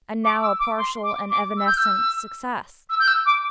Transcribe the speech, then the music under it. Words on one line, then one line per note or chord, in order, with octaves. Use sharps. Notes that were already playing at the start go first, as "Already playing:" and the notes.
And now a partial and evanescent success.
D6
E6
D6
C6
D6
D6
E6
G6
E6
E6
G6
E6
D6